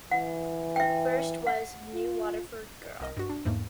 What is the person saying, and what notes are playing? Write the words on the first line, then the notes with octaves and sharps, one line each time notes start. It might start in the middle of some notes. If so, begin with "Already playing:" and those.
First, was "New Waterford Girl".
E3 F#5
E5 G5
F#5
F4
C2 A#4 D#5
G2 F#4
D4
E2 G#2 A3 A#3